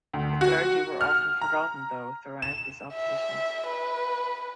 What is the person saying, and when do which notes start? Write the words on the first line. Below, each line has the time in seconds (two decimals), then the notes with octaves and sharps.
The clergy were often forgotten though throughout this opposition.
0.13 D2
0.41 F#4
1.01 F6
1.41 A#5
2.42 E7
2.94 E5
3.67 B4